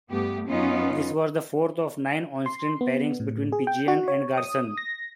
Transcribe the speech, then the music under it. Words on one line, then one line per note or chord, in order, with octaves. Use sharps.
This was the fourth of nine onscreen pairings between Pidgeon and Garson.
G2 A3 B3 G4
F#2 B3 C#4 D#4 F4
C6
B3
A2
G#4
G5
F#4
C#5
D#6
A#6